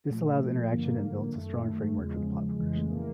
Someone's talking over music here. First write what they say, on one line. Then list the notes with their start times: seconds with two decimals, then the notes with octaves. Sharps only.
This allows interaction and builds a strong framework for the plot progression.
0.10 A#2 F3 A3
0.72 G2 D3 F3 A#3
1.35 F#2 D#3 A3
1.97 E2 C#3 F3 G#3
2.59 F2 C#3 E3 G#3
2.76 A3
2.90 A#3